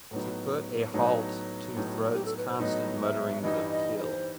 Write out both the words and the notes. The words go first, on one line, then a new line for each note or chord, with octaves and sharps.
To put a halt to Thrud's constant mutterings of, Kill!
A2 F#3 B3 D#4
A2 F#3 B3 D#4
A2 F#3 B3 D#4
G4
A4
B4
C5
A2 F#3 B3 D#4 D#5
E5
G2 E3 G3 D#4 D#5
D#5
D#5
C5